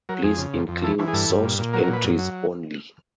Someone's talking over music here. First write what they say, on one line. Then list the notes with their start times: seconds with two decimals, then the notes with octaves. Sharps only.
Please include sourced entries only.
0.09 F#3 A#4
0.23 F2 G#4
0.38 C#3
0.53 F2
0.68 F2
0.83 E3 A4
0.99 E3
1.08 G#4
1.13 G2 A4
1.29 G2
1.44 A#2
1.59 A#2
1.73 F#3 A#4
1.84 A#4
1.88 A#2
1.93 B4
2.04 F#2
2.19 F#3